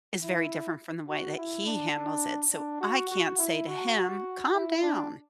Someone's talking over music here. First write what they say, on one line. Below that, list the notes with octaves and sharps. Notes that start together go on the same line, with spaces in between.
is very different from the way that he handles it. So I can't say to him, "Calm down."
E4
F#4
E4
D4
D4
F#4
F#4
E4
F#4
E4
D4